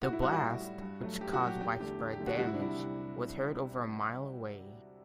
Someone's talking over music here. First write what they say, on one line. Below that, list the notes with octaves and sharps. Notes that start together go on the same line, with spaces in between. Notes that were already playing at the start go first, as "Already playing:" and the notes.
The blast, which caused widespread damage, was heard over a mile away.
A2 F#4
E4
G3 F#4
F#4
A2
G3
G2
F#3 A3
G2 G4
F#4
F#3 A3
G4
E2 G4
D3 A3 G4
E2
G4
D3 A3
F#4
C2 F#4
E4
D4
C3 G3 E4
C2